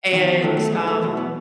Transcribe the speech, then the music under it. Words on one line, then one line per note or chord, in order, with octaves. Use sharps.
And, um,
E2 D#3 F#3
E2 D#3 F#3 A3
A3
F#2 E3 G#3
A3
E2 B2 F#3
B3